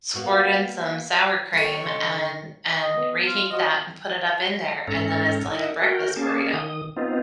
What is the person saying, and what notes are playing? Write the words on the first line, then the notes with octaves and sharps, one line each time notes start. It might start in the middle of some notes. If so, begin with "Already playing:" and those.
squirt in some sour cream, and and reheat that and put it up in there, and then it's like a breakfast burrito.
A#3 B3 F#4
F#3 A4 A#4 C#5 G5 C#6
D3 D#5 C6
D#5
B3
F4
F3 F#4 D#5
G#2 C#4 A4 A#5
D#4 E4 A#4 D#5 E5 F#5
F#4 A#4 G5
A#3 C#4 G#4 A5
D#3 D#6
B3 C4 D#4 F4